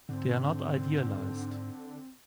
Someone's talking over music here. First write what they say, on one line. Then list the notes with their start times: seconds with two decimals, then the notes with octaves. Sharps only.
They are not idealized.
0.09 G#2 D3 C4